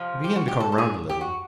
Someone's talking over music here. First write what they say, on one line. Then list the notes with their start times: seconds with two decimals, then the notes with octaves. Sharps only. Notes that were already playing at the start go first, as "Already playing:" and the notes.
He began to come round a little.
Already playing: F2 C3 F3
0.24 G4
0.36 F#4
0.48 G4
0.60 A4
0.72 A4
0.78 G#4
1.09 G4
1.21 F#4